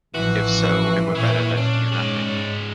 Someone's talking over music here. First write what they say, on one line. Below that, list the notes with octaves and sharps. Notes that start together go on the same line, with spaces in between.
If so, it were better that he knew nothing.
A1 E3 F3 F#4
A#2 E4 C#5
C#4 D4
G#2 G#3 D5